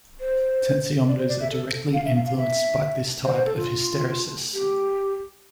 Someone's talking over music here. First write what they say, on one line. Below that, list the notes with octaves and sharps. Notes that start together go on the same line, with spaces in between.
Tensiometers are directly influenced by this type of hysteresis.
C5
D5
C5
D5
E5
A4
F5
E5
F5
F5
E5
C5
C5
A4
F4
G4